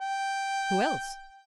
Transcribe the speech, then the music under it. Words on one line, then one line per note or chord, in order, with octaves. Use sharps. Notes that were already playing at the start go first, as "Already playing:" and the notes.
"Who else?"
G5